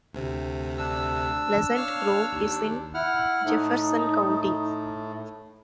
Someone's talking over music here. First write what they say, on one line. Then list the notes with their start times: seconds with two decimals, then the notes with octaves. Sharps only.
Pleasant Grove is in Jefferson County.
0.13 D2 C3
0.78 D4 E6
1.76 C#5 F5 F6
2.33 D#2
2.94 E4 F#5 F6
3.45 A2 D#4